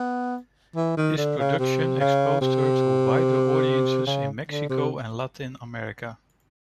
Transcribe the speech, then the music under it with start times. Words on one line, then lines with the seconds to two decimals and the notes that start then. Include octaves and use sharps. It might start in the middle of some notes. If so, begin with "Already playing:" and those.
This production exposed her to wider audiences in Mexico and Latin America.
Already playing: B3
0.76 E3
0.97 D#3
1.17 D3
1.38 C#3
1.59 C3
2.00 C#3
2.41 C3
4.07 C#3
4.49 D3
4.69 C3